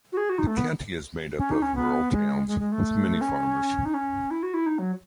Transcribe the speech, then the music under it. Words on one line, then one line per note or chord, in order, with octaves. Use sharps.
The county is made up of rural towns with many farmers.
F#4
G#4
F#4
D#4
A3
B3
C#4
D#4
C#4
B3
G#3
G#3
G#3
A3
C#4
D#4
C#4
E4
F#4
E4
D#4
F#3